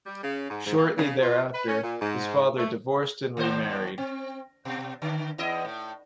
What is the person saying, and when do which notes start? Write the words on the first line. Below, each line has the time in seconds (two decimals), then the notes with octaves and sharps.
Shortly thereafter, his father divorced and remarried.
0.06 G3
0.23 C#3
0.50 G#2
0.65 G#2
0.77 A#3
0.97 C#3
1.22 F4
1.53 B4
1.68 C#4
1.83 A#2
2.01 G#2
2.58 A3
3.37 D#2 A2 C5
3.98 C4
4.65 B2
5.02 D3
5.38 E2 E4 D#5
5.65 A2